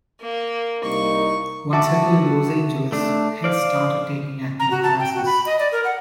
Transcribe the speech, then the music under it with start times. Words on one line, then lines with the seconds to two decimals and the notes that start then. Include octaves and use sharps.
Once settled in Los Angeles, Hess started taking acting classes.
0.21 A#3
0.84 C2 A#3 D#4 C#6
1.73 F#4 E5 A5 D6
2.92 A3 D4
3.44 C5 D5 F5
4.60 A#5
4.71 F#4
4.83 A5
5.00 G5
5.15 F#4
5.26 B5
5.46 D#5
5.59 D5
5.72 A#4
5.84 F#5